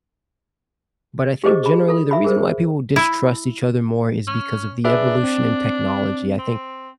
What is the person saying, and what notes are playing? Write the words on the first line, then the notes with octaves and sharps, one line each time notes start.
But I think, generally, the reason why people distrust each other more is because of the evolution in technology, I think
G4 G#4 C5 D#5 D6
G#4 B5
F4 A4
E5 B5
G#4 A#4 C5
E4
C#4
D4 G#4 B4 E5
C4
C4